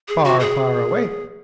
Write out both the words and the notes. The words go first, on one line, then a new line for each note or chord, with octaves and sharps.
"Far, far away!"
G#4
F#4
G#4